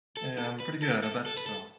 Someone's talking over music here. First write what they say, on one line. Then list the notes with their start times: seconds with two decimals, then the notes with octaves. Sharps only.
Yeah, I'm pretty good. How about yourself?
0.17 A4
0.38 A4
0.60 B4
0.82 A4
1.04 A4
1.26 A4
1.37 B4
1.46 A4